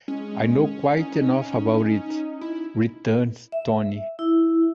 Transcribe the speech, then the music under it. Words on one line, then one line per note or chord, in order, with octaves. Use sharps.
"I know quite enough about it," returns Tony.
G#3 C#4
D#4
E4
E5
E4